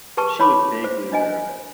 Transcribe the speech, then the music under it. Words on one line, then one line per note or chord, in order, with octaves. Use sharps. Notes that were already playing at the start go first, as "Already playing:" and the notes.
She was vaguely aware of it.
G4 G#4 B4 A5 C#6
C#5 B5 C6 D6
C5
D4 D#5 G#5